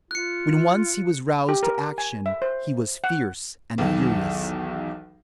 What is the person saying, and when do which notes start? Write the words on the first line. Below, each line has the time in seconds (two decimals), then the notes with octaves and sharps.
When once he was roused to action, he was fierce and furious.
0.11 F4 F#6 C#7
1.49 G4
1.63 A#4
1.98 G#5
2.26 E5
2.42 C5
3.04 F#5
3.78 B1 E2 D#3 F#3